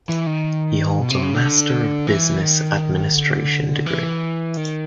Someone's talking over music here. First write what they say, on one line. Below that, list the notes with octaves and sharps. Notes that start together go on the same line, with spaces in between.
He holds a Master of Business Administration degree.
E3
D#3
B2
C3
C#3
D3
E3
D#3
D3
E3
D#3